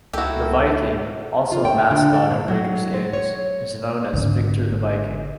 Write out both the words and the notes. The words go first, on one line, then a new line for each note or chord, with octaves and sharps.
The Viking, also a mascot at Raiders' games, is known as Victor the Viking.
C#2 A#3 E4 F#4 G4 A4
F4
G5
D3
A4
A#2
F#3
C5
C#5
G#1 D3